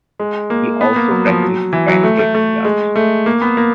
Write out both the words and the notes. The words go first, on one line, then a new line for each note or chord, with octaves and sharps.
He also practiced pencak silat.
G#3
A#3
B3
A#3
F#3
F3
F#3
E3
F#3
A3
A3
A3
G#3
A3
A#3
B3
A#3